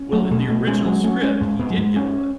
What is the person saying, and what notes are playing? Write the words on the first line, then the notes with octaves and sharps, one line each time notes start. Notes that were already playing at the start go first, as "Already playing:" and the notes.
Well, in the original script, he did get away,
Already playing: C#4
F#3 A3
B2 A3
B2 A3
G#3 C#4
F#3 G#3
A3 C#4
G#3 C#4
G#2 G#3
G#2 B3
F#3
G#2 G#3
C#4